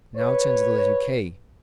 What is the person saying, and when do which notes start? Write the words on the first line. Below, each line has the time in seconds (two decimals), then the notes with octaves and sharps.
Now turn to the letter k.
0.17 B4 C#5